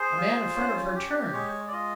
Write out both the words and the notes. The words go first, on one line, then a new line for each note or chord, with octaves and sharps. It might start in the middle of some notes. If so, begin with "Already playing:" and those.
A man in front of her turned.
Already playing: G#4 C5
F4
C#4
G4
G#3 C#5
D5
F4 D#5